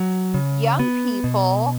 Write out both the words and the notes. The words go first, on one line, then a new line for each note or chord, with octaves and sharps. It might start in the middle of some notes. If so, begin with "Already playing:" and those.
young people
Already playing: F#3
C#3
B3
B2